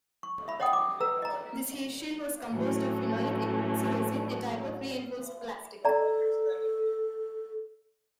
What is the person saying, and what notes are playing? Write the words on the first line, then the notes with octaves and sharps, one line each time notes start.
This heat shield was composed of phenolic epoxy resin, a type of reinforced plastic.
C#6
E5 B5
C#5 D#5 F#5 G5 D#6
D6
A4 B4 A#5 E6
D#5 A#5
A2 E3 F#3 A3 C#4
A4 D5 A#5